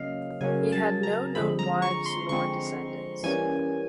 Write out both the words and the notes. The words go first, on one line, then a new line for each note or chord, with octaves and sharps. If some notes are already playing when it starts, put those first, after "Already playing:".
He had no known wives nor descendants.
Already playing: C#3 F#3 A#3 C#4 D#5 F5
C#3 F#3 A#3 C#4 G#5
A5
A#5
D3 F3 G#3 C4 B5
A#5
C#6
C6
D3 F3 G#3 C4 C#6
E3 G3 A#3 C#4 G#5